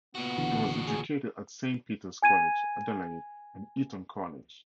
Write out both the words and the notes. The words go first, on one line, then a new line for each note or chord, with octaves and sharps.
He was educated at Saint Peter's College, Adelaide, and Eton College.
A#2 B3 F#4
B1 D3 E3
G#4
G#5 G#6 D#7